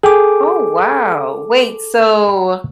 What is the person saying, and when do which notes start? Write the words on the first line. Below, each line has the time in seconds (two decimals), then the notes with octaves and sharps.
Oh, wow, wait, so,
0.03 G#4 A4 G5 D6